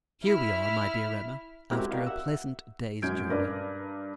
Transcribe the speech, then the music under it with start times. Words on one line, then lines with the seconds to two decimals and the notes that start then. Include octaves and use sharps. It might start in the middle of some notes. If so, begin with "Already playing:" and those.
Here we are, my Dear Emma, after a pleasant day's journey!
0.25 E4 E5 F6
1.71 G#3 C4 E4 F#4 G4 A#4
1.91 F#4 G4 A#4 D5 D#5 F5
2.07 E5 F#5 E6
3.02 G#1 F#2 F#3 G6 G#6 D7
3.29 G2 A#4 B4 D5